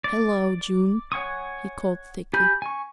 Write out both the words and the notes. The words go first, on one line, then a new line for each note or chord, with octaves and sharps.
"Hello, June!" he called thickly.
D5
C#5 F#5 G#5 C#6 D#6
G4 G#5 B5 G6
G#5 C#6